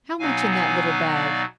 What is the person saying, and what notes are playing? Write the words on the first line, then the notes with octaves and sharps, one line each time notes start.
"How much in that little bag?"
B2 F#3 B3 D#4 F5 G#5
F5 G#5
D5 F5